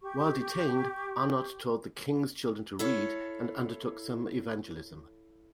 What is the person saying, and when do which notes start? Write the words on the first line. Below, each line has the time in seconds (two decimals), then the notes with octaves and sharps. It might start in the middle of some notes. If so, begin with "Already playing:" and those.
While detained, Arnot taught the king's children to read and undertook some evangelism.
0.01 G4 C#6
2.79 E4 A4 C#5 F5